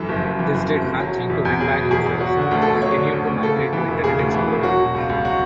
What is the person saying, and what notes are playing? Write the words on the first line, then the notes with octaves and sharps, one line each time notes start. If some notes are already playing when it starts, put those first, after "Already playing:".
This did nothing to win back users, who continued to migrate to Internet Explorer.
Already playing: F#2 E3 A4
F#1
F#1
E3
F#2
F#1
F#1
F#3
B2
E2
E2
F#3 G#4
B2
E2 G#4
E2
F#3 F#4
D3 F#4
D2
A4
D2
F#3 C#5
D3
D2
D2
C#3 A4
D2
E3
E1
C#3 G#4
D2
E3
E1
F#3 F#4
B2
C#2
C#2
F#3 F#4